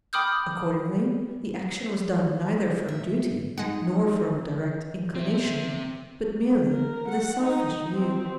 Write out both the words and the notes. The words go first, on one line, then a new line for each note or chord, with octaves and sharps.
Accordingly the action was done neither from duty nor from direct inclination, but merely with a selfish view.
G5 B5 D6 D#6 F6 G6
E5
G#3 D#4 F#5
C4 E5
A#4
F#5
D#4
C4